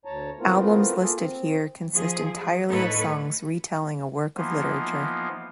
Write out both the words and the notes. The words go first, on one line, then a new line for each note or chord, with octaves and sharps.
Albums listed here consist entirely of songs retelling a work of literature.
D2 C#5 A5 A#5
A3 B3 C4 E4 F4 A#4
A#3 F4 G#4 A4
C4
F3 G#4
A2 D#4 A4 B4 C#5
E3 F3 A#3 B3 D#4 F4